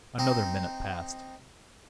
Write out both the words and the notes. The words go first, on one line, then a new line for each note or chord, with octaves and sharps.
Another minute passed.
C4 D#4